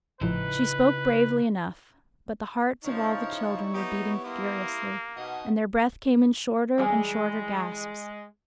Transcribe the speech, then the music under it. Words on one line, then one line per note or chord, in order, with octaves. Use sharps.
She spoke bravely enough, but the hearts of all the children were beating furiously, and their breath came in shorter and shorter gasps.
G#1 A2 C#3 F3 D#4 E4 B4
C#3 F3 D#4 E4 C#5 C#6
B3 D#4 G4
A#3 E4 C6 D#6
B2 D#4 F#4 D#5 F#5
E3 G3 G#3 G#5